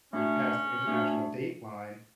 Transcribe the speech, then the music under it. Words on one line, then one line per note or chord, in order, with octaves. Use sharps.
you passed the international dateline,
A3 C#4 D4 F#4
A3 D4 F#4